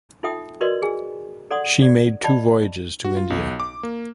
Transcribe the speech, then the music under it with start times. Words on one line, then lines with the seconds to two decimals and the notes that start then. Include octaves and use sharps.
She made two voyages to India.
0.23 D#4 F4 A4 E5 G5 D#6
0.61 F#4 A#4 B4 D5 D#5 C6
0.82 G#4 G#5
1.51 A4 D5 F#5 C6 D#6
1.82 D5
2.24 D5 D#5 G5 A5 B5
3.04 F#4
3.17 F4
3.30 B1
3.60 D6
3.83 A#3